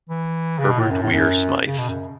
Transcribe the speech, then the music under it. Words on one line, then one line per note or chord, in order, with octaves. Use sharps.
Herbert Weir Smyth.
E3
C#3
B2
A2
F#2
A2
F#2
C#3
B2
F#2